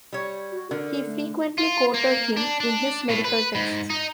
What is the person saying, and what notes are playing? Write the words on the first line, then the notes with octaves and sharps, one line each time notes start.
He frequently quoted him in his medical texts.
G3 C#5
F#4
D3 A#4
A3
F4
A#3
D4
D4
A2
B4
G#2
D#4